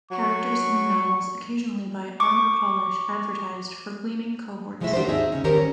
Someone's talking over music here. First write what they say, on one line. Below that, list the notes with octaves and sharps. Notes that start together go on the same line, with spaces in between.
Characters in the novels occasionally buy Armour Polish advertised "For Gleaming Cohorts".
F#3 C#6
C#6 D6
C3 F3 G#3 A3 E4 E5
D#3 D4 F#4 G4 A4 C5
D#2 G#2 C4 D#4 G#4 E5
C#3 C#4
D#3 C#4 G4 A#4 C5 C#5
C#4